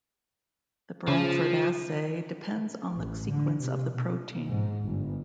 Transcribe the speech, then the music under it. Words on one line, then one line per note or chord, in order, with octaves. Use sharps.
The Bradford assay depends on the sequence of the protein.
C#3 F3
A1
D3
C3
B2
G#2
G1